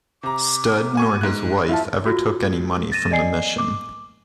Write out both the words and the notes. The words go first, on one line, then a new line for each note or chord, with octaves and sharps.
Studd nor his wife ever took any money from the mission.
C3 A#5 D6
F#4 G#5 C#6
G#2 F#6
E4 F4 E5 F5 A5
F4 F#4
A6 A#6 D#7 E7
D5 D#5 G#5 C7
D6